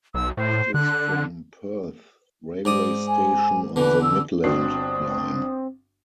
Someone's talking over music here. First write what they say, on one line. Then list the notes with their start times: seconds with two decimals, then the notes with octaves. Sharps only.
It is from Perth railway station on the Midland Line.
0.14 B1 E6
0.37 A2 C5
0.74 D3 F#6
2.65 G#2 D5 D#6
3.08 G#5
3.76 B2 D3 E3 B4
4.03 E6
4.44 G1 C4 D4 F#4 D#6